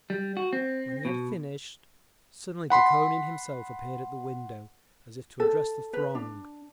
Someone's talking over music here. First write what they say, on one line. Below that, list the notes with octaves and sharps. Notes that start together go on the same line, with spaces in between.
When he had finished, suddenly Dukhonin himself appeared at the window, as if to address the throng.
G3
F#4
C4
B2
F#5 B5 C6
A4
B4
D4